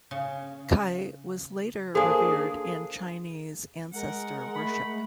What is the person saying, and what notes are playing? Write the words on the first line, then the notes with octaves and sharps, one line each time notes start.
Cai was later revered in Chinese ancestor worship.
C#3
A#3 D4 G#4 A4 C5 G#5
G#3 A#4 F#5
A3 B5